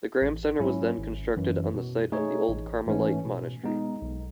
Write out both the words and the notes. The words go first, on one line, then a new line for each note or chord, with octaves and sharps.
The Graham Center was then constructed on the site of the old Carmelite Monastery.
A1
G#2 F#3 C#4 E4
G#1
F#2 E3
B2
A3 D#4 G#4 C#5
A1
G#2 E3 A3 C#4
B2
G#3 B3 D#4
B1